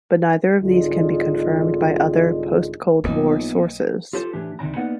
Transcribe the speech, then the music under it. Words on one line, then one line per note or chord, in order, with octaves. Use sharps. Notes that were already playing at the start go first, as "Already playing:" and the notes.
But neither of these can be confirmed by other, post-Cold-War sources.
C2 G#2 D3 G#3 D#4 F4
B1 A2 F3 A#3 B3 D#4
F4 G4 A4 C5
A2 E3 D4 G4
D2 C3 D#3 D4 A#5
A#3 B3 D#4 A#4 D5 F#5